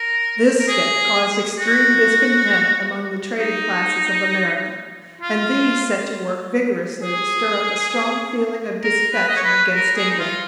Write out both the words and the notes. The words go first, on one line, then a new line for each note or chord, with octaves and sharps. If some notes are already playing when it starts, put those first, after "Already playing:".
This step caused extreme discontent among the trading classes of America, and these set to work vigorously to stir up a strong feeling of disaffection against England.
Already playing: A#4
A#4
G#4
F#4
D#4
F4
G#4
A#4
B4
D#5
C#5
B4
A#4
G#4
D#4
F4